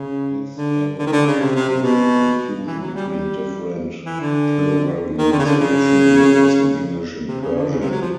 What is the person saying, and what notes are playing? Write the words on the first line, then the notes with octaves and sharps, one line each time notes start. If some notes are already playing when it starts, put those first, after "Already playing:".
This error is due to confusion between different pluralization rules in English and Persian.
Already playing: C#3
D3
D3
D#3
D3
C#3
C3
C3
C3
B2
E3
F#3
G3
G3
E3
D3
D#3
D3
C#3
D3
C#3
C3
C#3
D3
C#3
C3
F#3
F3